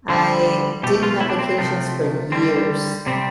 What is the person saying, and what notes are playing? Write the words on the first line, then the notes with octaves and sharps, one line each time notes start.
I didn't have vacations for years,
D3 G3 C4
B2 A3 G4
F4
E4
D4
C4
C4
C3 F3 A3
D3 G3 C4
C3 G3 C4